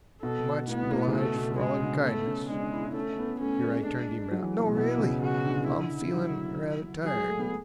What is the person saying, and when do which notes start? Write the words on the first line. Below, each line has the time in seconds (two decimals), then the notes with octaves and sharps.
Much 'bliged frall your kindness"--here I turned him round--"no, really; m'feeling rather tired.
0.22 B2 A4
0.67 A2 B3
0.83 B2
0.90 A2
1.08 C#3
1.13 B2 A3
1.36 B2
1.59 C#3 G#3
1.82 D3
2.04 A3 B3
2.27 C#4
2.50 G#3 D4
2.61 D4
2.72 E4
2.84 E4
2.95 A3 C#4
3.18 B3
3.40 A3 C#4
3.64 G#3
3.86 D4
4.31 F#3
4.42 E3
4.59 A2
4.66 B2
4.77 B2 E4
5.00 C#3
5.22 C#3 F#4
5.45 D3
5.68 E4
6.14 F#3
7.04 F#3 G#4
7.16 G#3
7.27 A3
7.39 B3